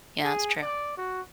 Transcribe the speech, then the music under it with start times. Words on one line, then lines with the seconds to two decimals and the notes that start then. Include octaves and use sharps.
Yeah, that's true.
0.24 G#4
0.62 D5
0.98 F#4